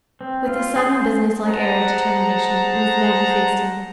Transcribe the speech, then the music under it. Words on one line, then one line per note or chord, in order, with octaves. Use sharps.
With a sudden businesslike air of determination Miss Maggie faced him.
C4
F4
G#4
C5
G#4 C5 F#5 A5 A#5